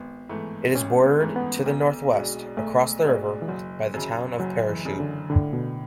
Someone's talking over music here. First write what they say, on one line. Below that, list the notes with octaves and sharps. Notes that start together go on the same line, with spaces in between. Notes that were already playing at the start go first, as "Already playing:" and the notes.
It is bordered to the northwest, across the river, by the town of Parachute.
Already playing: G#1 B3
G#2 E3 A3
G#1 C#4
B3
G#2 E3 A3
B3
B1
B2 G#3 D4
B1 A3
B2 G#3 D4
E3
F#1 F#3
F#2 C#3
F#1 F#3
E3
F#2 C#3
D3
A2 D3
B2